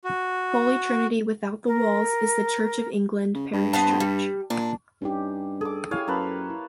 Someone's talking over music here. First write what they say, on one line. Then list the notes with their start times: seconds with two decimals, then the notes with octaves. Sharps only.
Holy Trinity-Without-The-Walls is the Church of England parish church.
0.04 F#4
1.67 A#4
3.35 C#3
3.53 G2
3.73 B3 C4 A5
4.00 G3
4.50 A#2 D4
5.02 G2 C#4 D#4 G4
5.61 G#4 A4 D6
5.91 E4 G4 C#5 F5 G#5
6.08 F#2 A#3 A4 B4
6.50 E4